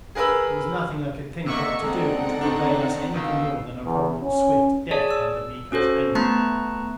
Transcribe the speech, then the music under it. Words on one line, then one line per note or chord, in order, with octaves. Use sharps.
There was nothing I could think of to do which would avail us anything more than a probable swift death under Miko's anger.
G#4 A#4 B4 B5 E6
C3 A#3 D#5 E5 F#5 C#6 D6 E6
G#3 A#3 C4 D#4 A4 D5 F#5 A#5
D#3 D4
B2 D#3 F5 E6
E2
C#4
G#4 C#5 D5 A5
E6
C#4 F#4 A4 C5
A3 B3 A5 A#5 C#6 F#6